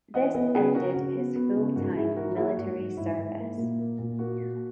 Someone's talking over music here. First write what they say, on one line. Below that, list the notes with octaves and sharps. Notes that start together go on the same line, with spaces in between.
This ended his full-time military service.
E3 D#5 F#5
B3 B4 D#5
C#3 G#4 B4
C#3 F#4 A#4
C#3 F#4
B3
B3
C#3
G#2 F#4 A#4
G#2 E4 G#4
E3 F#4 A#4
A#3 E4 G#4
G#2 F#4
G#2
G#2 E4
G#2
A#3
A#2
A#3
A#2
A#3 F#4
A#3